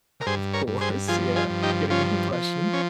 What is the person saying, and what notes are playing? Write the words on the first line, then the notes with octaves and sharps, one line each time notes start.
Of course. Yeah. I'm getting that impression.
A#4
G2 G#4 C5
A#4 C#5
G2
G#4 C5
F3 F4 G#4
F4 G#4
G2
D#4 G4
F3 C#4 F4
F3
C#4